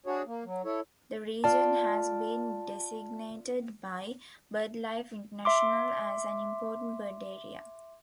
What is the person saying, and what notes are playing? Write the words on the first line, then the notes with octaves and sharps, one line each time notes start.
The region has been designated by Birdlife International as an Important Bird Area.
D4 F#4 G#4 C#5
A#3
F#3
E4 A4 C#5
F4 D5 A5
E5 C6 D6